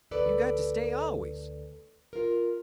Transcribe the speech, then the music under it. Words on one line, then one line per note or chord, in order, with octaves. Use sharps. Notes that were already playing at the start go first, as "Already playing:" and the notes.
You got to stay always.
D2 A4 B4 D5
F4 A#4